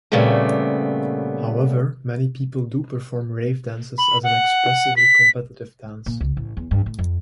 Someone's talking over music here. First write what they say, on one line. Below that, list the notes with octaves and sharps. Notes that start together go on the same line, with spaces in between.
However, many people do perform rave dances as an expressively competitive dance.
A#2 C#3 G3 A3 B3 C4
B5
F#5
B6
A#2
C#2
A1
E2
G2
A2
F2